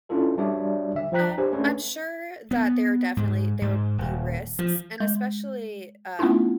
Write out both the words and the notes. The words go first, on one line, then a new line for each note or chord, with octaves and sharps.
Um, I'm sure that there are definitely there would be risks, and especially, um,
C#4 D4 E4 F4 A4 B4
G3 D4 F#4 C#5 D5 E5
D3 E5
F3 C5 G5 A#5 F#6 B6
D4 G4 C5 C#5 G#5
A3 C#4 D4 G#4 B4 C#5
B3
G#2
G#2
D#1
F3
G#3 G6
A3 B3 C#4 D4 E4 F4